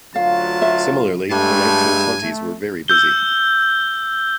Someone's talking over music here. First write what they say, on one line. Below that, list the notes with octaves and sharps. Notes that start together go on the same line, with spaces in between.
Similarly, the nineteen twenties were very busy.
D2 F#3 F4 F5 A5
E5
G2 G#3 A3 G#5
A3
E6 G6 G7